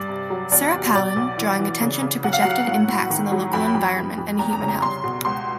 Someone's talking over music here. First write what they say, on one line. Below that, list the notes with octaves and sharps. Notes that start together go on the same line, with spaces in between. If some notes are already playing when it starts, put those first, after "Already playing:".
Sarah Palin, drawing attention to projected impacts on the local environment and human health.
Already playing: G2 D5
C3
F#3
E2 D5
C3
B2 D5
B1
E3
E3
C#3
C#3
B1 F#5
F5
F#3 F#5
A2
A2
D#3
F#3
F2 B5
F2
F2
F2
E2 A#5
A#5
C#3
A#5
C2 C6
B2
C#2 C6